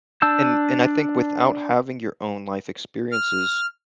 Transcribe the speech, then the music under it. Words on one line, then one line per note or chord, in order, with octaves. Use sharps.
And and I think without having your own life experiences,
D4 A5 E6 G6
F6